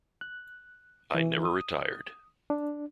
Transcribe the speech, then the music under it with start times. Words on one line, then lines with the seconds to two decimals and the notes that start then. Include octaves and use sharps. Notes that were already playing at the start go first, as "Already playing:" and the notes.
I never retired.
0.21 F#6
1.15 E3
1.45 D#6
2.50 D4